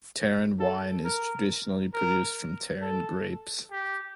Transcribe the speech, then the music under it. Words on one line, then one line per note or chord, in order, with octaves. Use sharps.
Teran wine is traditionally produced from teran grapes.
A4
A#4
A#4
A4
G4